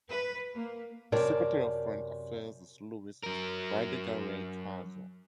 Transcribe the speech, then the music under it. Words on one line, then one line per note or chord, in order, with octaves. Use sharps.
The Secretary of Foreign Affairs is Luis Videgaray Caso.
B4
A#3
F#2 C3 A#4 C#5 D5 A5
F#3 A#4